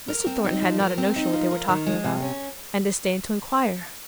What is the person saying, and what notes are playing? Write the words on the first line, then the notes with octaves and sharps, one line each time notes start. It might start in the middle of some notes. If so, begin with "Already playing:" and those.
Mr. Thornton had not a notion what they were talking about, and disdained to inquire.
A#4
C4
D#4
F3
A#4
C4
D#4
F3
A#4
D#3
G#3
C3
C#4